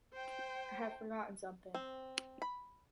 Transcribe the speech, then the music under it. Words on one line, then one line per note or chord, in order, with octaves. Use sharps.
I have forgotten something.
C5 G5
C4
B5